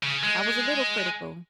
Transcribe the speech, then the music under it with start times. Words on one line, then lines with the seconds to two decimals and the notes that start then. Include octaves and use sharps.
I was a little critical,
0.03 C#3
0.24 G#3